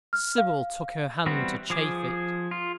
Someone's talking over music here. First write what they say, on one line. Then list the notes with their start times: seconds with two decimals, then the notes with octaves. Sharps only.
Sybil took her hand to chafe it.
0.13 F6
0.38 F5
1.26 E3 G3 B3 C4 F#4
1.70 F3 G#4 D6
2.51 F4